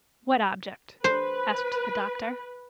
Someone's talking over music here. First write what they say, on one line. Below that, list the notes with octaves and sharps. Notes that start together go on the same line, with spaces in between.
'What object?' asked the doctor.
B4 C5